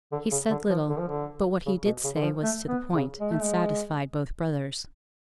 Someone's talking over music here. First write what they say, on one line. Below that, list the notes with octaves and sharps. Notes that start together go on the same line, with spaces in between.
He said little; but what he did say was to the point, and satisfied both brothers.
D3
C#3
D3
F3
D3
F3
D3
C#3
B2
C#3
D3
F3
A3
B3
C#3
G#3
A3
G#3